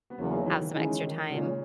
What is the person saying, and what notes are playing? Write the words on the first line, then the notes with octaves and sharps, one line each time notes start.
have some extra time,
B3
E2 C#3 F#3 A#3 C#4
D#4
E3
D#3
D#3 E3 G#3 C#4 G#4 D#5
D#3
A#2 C#3 G#3 C#4